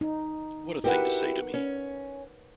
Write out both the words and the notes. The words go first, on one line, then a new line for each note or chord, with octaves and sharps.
What a thing to say to me!
D#4
E4 F#4 G4 A#4 B4 F#5
C#4